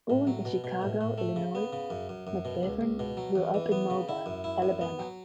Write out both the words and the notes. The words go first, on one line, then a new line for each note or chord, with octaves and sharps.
Born in Chicago, Illinois, McGivern grew up in Mobile, Alabama.
A2
F#3
B2
B2
A2
A2
A3
C#3
B3
C#3
F#2
F#2
F#2
B2
C#2
C#2
B2
F#3
E2
E3
B3
C#3
E4
F#2
E4
F#2
B3
F#3